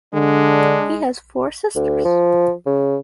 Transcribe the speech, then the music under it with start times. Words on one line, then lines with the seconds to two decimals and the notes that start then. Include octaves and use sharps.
He has four sisters.
0.14 D3 G#3 D4
1.76 D2
2.05 F3
2.66 C#3